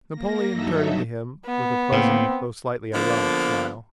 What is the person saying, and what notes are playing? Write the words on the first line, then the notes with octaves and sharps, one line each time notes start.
Napoleon turned to him with a pleasant, though slightly ironic, smile.
A#3 A#6
G2 F#3 D#4 A4 E5
B3
A2 A#3 C4
D3 F3 A#3 B3